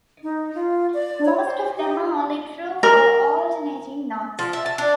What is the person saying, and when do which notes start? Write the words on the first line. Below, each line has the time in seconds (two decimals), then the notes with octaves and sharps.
Most of them are only true for alternating knots.
0.23 D#4
0.55 F4
0.94 D5
1.25 C#5
1.45 C5
1.77 G4
2.83 A#4
4.39 F3
4.53 E5
4.66 A5
4.78 D4